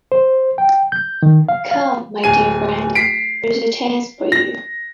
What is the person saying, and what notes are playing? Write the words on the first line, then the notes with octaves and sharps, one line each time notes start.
Come, my dear friend, there's a chance for you.
C5
G5
G6
D#3
F5
F5
D1 G#5 D#7
B6 C7 D7
A#6